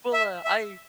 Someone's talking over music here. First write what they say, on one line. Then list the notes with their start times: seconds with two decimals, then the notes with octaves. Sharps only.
Well, uh, I
0.13 E5
0.45 E5